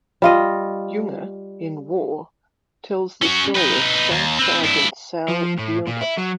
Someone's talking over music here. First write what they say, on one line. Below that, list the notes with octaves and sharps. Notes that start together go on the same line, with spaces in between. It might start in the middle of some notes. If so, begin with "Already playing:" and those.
Junger in "War", tells the story of Staff Sergent Sal Giunta.
G3 F4 D#5
C#4 F#4
D#4 B4
D#2
C4 B4
G2 E4
F3
A2
A#2
E4
F#3